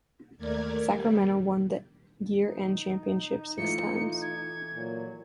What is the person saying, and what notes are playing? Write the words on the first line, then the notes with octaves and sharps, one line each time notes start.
Sacramento won the year-end Championship six times.
D#2 A3 A#4 D5 G#6
G3
D#4
E3 A3 F4 C#7
G#6
A#2 F#3